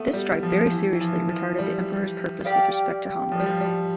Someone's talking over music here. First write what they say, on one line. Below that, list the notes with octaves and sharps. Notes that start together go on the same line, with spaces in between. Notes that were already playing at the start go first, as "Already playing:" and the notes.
This strife very seriously retarded the emperor's purpose with respect to Hamburg.
Already playing: A3 B3
G3
F3
E3
E3
F3
F3
G3
G4 D5 F5
F3
G3
F3
G3